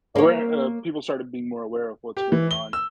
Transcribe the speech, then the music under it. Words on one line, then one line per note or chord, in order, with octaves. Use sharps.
aware uh, people started being more aware of what's going on.
A#3 C#5
G4
E3
G7
E6